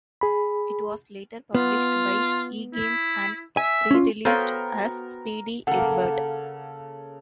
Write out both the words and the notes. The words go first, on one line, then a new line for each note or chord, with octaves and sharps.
It was later published by eGames and re-released as "Speedy Eggbert".
G#4 B5
B3 F4
E4
E5 G#5
C#4 F4
B3 F#4 A4 A#4 C5 C#5 F5 G5
C#3 A#3 A4 F#5